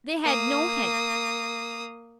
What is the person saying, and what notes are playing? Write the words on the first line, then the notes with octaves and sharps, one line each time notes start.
They had no head.
A#3 D#6